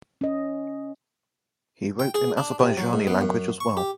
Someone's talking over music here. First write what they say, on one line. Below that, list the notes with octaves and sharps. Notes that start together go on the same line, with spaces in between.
He wrote in Azerbaijani language as well.
C#4 D#5
G5
G#4
D4
C3
F#3
G#2
B3
F#2
C#6
G4